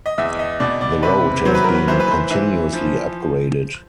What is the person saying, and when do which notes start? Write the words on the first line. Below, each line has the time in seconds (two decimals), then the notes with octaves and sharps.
The road has been continuously upgraded.
0.06 D#5
0.18 E2 E5
0.39 D#5
0.60 B2 D5
0.81 D5
1.03 C3 B4
1.45 F#3 C5
1.55 B4
1.64 A#4
1.75 B4
1.88 E3 C5
2.00 B4
2.11 C5
2.31 E3
2.73 F3